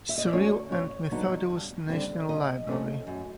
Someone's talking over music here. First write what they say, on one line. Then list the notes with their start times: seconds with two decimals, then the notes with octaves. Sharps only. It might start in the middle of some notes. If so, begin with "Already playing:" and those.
Cyril and Methodius National Library.
0.09 E5
0.18 D#5
0.25 D5
0.33 D3 F#3 A3 C#4 C#5
0.72 F2 C#5
1.11 D3 F#3 B3 D#4
1.50 G2
1.89 D3 G3 C4
2.29 C#3 D#5
2.68 F3 A3 C#4
3.07 F#2